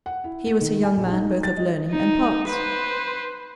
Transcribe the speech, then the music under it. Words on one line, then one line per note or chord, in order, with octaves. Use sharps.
He was a young man both of learning and parts.
F#5
E4
A#3
D#3
G#5
A#1
D#4
A6
D#5
D#4
B4 C5